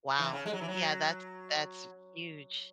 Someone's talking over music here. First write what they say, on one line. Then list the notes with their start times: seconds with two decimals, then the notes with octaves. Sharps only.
Wow. Yeah. That's that's huge.
0.19 E3
0.33 C#3
0.46 G#3
0.53 F#3
0.61 E3
0.68 F#3